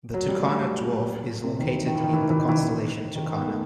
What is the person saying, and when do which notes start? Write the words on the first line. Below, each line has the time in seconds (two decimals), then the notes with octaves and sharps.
The Tucana Dwarf is located in the constellation Tucana.
0.14 F#3
0.29 G3
0.42 A3
0.58 F#3
1.43 C3
1.59 D#3
1.65 E3
1.86 D#3
1.95 E3
2.04 D#3
2.13 E3
2.22 D#3
2.30 E3
2.40 D#3
2.49 E3
2.57 D#3
3.15 D#3
3.26 D#3
3.36 B3
3.47 A3